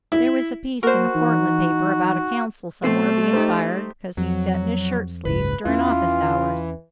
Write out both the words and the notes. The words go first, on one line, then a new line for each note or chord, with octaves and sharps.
There was a piece in a Portland paper about a Counsul somewhere being fired because he set in his shirt-sleeves durin office hours.
E4
A#3 F#4 A#4 C5
E3 D#4
B2 A3 C4 C7
D#4 G4 C5
F2 F#3
F#1 C#2 G#2 B4
E2 E3 A3 C#4 F4